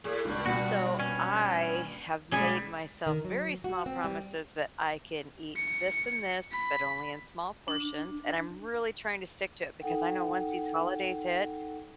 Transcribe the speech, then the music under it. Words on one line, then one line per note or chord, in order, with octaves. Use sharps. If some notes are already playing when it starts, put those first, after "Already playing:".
So, I have made myself very small promises that I can eat this and this, but only in small portions, and I'm really trying to stick to it because I know once these holidays hit,
A2 G#4
C#2 G2 A#2
B2 G3 B3 F#4
C#4
B1 G3 G#3 C#4 G#4 G#5
D#3
F#3
F#4
C4
G3
C#7
B5
D4
D#4 A4 F#5 G5